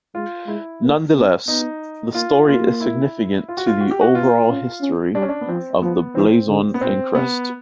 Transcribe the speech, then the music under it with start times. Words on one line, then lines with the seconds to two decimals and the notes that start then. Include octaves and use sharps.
Nonetheless, the story is significant to the over-all history of the blazon and crest.
0.15 G#3 F4
0.47 G#3 E4
0.81 A#3
1.14 C4
1.47 B3 D#4
2.14 A#3 F4
2.48 A#3 F4
2.81 E4
3.48 F4
3.57 F#4
3.67 F4
3.81 F#4
3.91 G4
4.01 F#4
4.15 B3 F4
4.49 C#4
4.81 C#4
5.15 G3 D4
5.22 C#4
5.29 D4
5.41 B3
5.48 F3 C4
5.82 F3 B3
6.15 E3 C4
6.48 D3
6.74 B3
6.81 A#2 C4
7.15 C3 B3